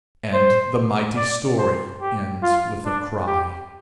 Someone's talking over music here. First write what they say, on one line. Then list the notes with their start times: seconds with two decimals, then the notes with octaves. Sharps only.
And the mighty story ends with a cry.
0.33 C5
1.16 D5
1.59 C5
2.01 G4
2.43 F4
2.85 D4
3.27 G4